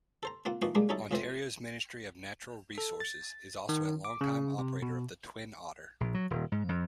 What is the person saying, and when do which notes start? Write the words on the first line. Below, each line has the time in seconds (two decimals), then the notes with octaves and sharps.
Ontario's Ministry of Natural Resources is also a long-time operator of the Twin Otter.
0.23 A4 C5 A#5
0.45 A#3 C4 F4 F#5
0.62 E3 F3 A#3 D#4 F#4
0.75 G3 G#3 A#3 D4 G#4
0.89 F#3 G3 C#4 D#4 E4 A4
1.11 F2 A2 E3 C4 C5
2.78 A4
3.00 A6
3.69 D#3
4.05 D6
4.21 C#3
4.58 C3
4.82 B2
6.00 A#1
6.14 F#3
6.30 D#1
6.52 G#2
6.69 F2